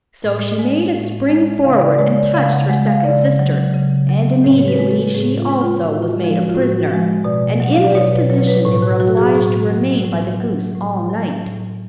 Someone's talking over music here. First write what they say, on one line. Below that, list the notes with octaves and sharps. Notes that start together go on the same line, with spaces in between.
So she made a spring forward and touched her second sister, and immediately she also was made a prisoner, and in this position they were obliged to remain by the goose all night.
A2
G#3
A2
G#3
C#3 F5
D5
G#3 C#5
D5
C#3 F5
F#5
G#3 F#5
F5
C#3 D5
F#3
C#3
F#3
A2 C#5
C#5
B4
G#3
A4
A2 G#4
F4
G#3
F4
A2 F#4
F4
F3 G#3 F4
F#4
F4
A2
F#4
F3 G#3
B2 D5
F#3 F#5
F5
D5
B2 C#5
B4
F#3 C#5
B4
A2
F#4
F#3 F#4
G#4
A2 G#4
F#3
A2
F#3
A2
F#3
A2